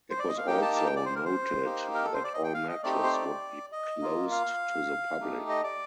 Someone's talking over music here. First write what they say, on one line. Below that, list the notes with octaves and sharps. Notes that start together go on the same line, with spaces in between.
It was also noted that all matches would be closed to the public.
C5
D5
D#5
F5
A#3 D#4 G4 G5
A5
A5
G5
D5
C5
A#4
C5
A#3 D#4 G4
A#4
A4
C5
D5
D#5
G5
F5
D#5
A3 C4 D#4 G4 D5
C5
D5
D#5
A#3 F4
F5
A3 D#4 G4
D#5
D5